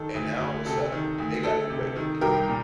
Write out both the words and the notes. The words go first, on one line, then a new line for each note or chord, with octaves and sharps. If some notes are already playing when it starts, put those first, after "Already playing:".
and now, all of a sudden, they gotta be regular people,
Already playing: D#3 A4
D2
D2
C3 A4
D#3
D2
D2 A4
C3
D#3
C2 G4 A#4
A#2